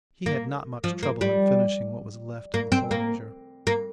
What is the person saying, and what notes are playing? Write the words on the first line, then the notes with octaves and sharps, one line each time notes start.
He had not much trouble in finishing what was left in the porringer.
A#3
F3
A#3
G3
A#3
C4
A#3
A#3